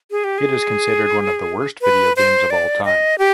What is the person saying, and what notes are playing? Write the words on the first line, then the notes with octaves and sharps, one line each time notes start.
It is considered one of the worst video games of all time.
G#4
G4
G#4
B4
C5
D5
D#5
G4